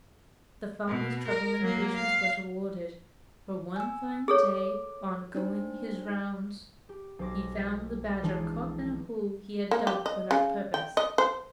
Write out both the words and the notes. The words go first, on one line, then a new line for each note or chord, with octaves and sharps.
The farmer's trouble and patience was rewarded, for one fine day on going his rounds he found the badger caught in a hole he had dug for that purpose.
B2
A#4
F#3 A#3
F5
G#5 E6
G#4 A4 C#5 D6
D4 D#4 C5
G4
B1 C5 D6 A#6
E3 F3 G#3 D4 D#4 F4
A#3
G4
D#5
C#3
G5
D#5
C5